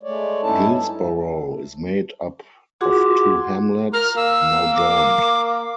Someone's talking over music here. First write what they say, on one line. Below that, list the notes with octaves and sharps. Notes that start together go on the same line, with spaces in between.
Guilsborough is made up of two hamlets, now joined.
G#3 A3 C#5 D5
G2 C#4 D#4 E4 A4 A5
F4 F#4 G#4 F#5 C6 D6
A#4 F6
A#3 E6
D6